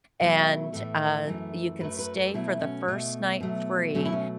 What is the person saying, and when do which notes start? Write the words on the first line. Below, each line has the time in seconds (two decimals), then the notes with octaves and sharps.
and, uh, you can stay for the first night free,
0.20 B2 F#3 A3 E4
0.72 A2 E3 A3 A4
1.27 F#2 E3 A3
1.80 F#2 F#3 A3 B4
1.99 B4
2.16 A4
2.34 B2 F#3 A3 E4
2.61 C#4
2.88 B2 A3
3.40 B2 F#3 A3
3.95 B2 F#3 A3 C#4
4.05 E4
4.12 C#4